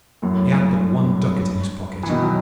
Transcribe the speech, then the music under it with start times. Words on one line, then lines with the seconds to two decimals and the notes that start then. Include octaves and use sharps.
He had but one ducat in his pocket.
0.22 F#2 A2
0.53 G2
2.03 E3
2.09 B2 D#3
2.23 F#3